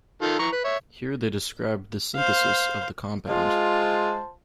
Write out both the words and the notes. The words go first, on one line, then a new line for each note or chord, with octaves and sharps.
Here they described the synthesis of the compound.
D#3 F4 A4
E3 A#5 C#6
B4
C#5 E5
C5 F5
G#3 F4 C5 A5